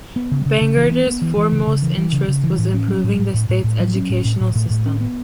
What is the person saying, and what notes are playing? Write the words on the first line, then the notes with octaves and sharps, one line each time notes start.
Bangerter's "foremost interest was improving the state's educational system".
B3
C#3
C#3
C#3
E3
B3
B3
E3
E3
C#3
C#3
E3
E3
C#3
C#3
E3
A2
C#4
F#3
A2
A2
A2
A2
A2
F#3
C#4
A2
A2
A2
A2
A2
C#4
B3